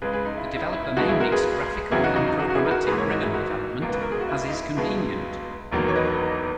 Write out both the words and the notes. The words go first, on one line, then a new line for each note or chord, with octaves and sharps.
The developer may mix graphical and programmatic ribbon development as is convenient.
C#2 C#3 G#3 G#4 B4
G#4 B4
D#4
E4
E4
D#4
E4
E4
C#2 B2 G#3 D#4 F#4
E4 G#4
F#4 A#4
G#4 B4
E2 C#3 F#3 E4 G#4
D#4 F#4
D#4 F#4
D#4
D#4 F#4
F#4
E4 G#4
B4
F#4 A#4
G#1 G#2 E3 A#3 G#4 B4
A#4 C#5
D#4 F#4
E4 G#4
D#4 F#4
C#2 B2 A#3
B4
A#4
G#4
F#4
E4
D#4
E4
C#2 B2 G#3
E1 E2 D#3 F#3 A#3
C#5
B4 D#5